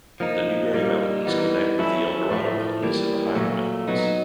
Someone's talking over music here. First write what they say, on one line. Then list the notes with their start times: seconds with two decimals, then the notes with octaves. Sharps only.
The Newberry Mountains connect with the Eldorado Mountains and The Highland Mountains.
0.20 F3 A#3 D#4
0.73 A#2 G3 A#3 D#4
1.25 E3 G3 B3 D#4
1.79 F#3 A3 C#4 E4
2.30 A2 F3 A3
2.83 E3 G3 A#3
3.35 A#2 F#3 A3
3.88 F#3 B3 D#4